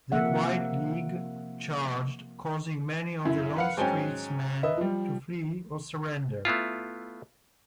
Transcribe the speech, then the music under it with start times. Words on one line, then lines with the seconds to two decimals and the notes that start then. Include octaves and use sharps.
The White League charged, causing many of Longstreet's men to flee or surrender.
0.12 C3 F3 A#3 E5 F#5
3.25 F#2 E4
3.56 B4 F5 F#5
3.77 G#2 F#3 C#4 C5 G5 G#5
4.63 B4 D#5 E5
4.77 F3 G3
6.45 A3 B3 E4 F4